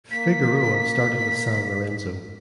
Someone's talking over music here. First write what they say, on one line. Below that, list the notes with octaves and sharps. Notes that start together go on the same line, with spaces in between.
Figueroa started with San Lorenzo.
A#3 B6